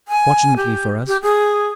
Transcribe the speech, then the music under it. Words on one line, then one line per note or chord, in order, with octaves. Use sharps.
"Fortunately for us."
G#5
G4
G4
G#4